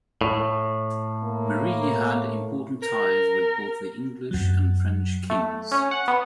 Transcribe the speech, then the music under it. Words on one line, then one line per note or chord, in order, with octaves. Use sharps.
Marie had important ties with both the English and French kings.
A2
A#3
A#4
F#2 F#3
A3
C#4
F#5
B3